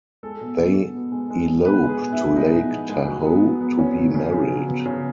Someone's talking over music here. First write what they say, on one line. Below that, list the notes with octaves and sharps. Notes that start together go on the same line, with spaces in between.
They elope to Lake Tahoe to be married.
G#3 A4
B2
B2
B2
B3
G#3
G#3
G#3
B2 B4
G#3
G#4
B2
E4
B3
G#3 D#4
B2
B2
G#3
F#3
B3
F#3
B3
F#3 C#4
C#3
C#3
C#3
F#3
B3
C#3